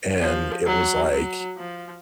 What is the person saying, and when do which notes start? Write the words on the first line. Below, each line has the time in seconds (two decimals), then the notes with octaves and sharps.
and it was like
0.21 F3
0.66 F#3
1.12 F#3
1.58 F3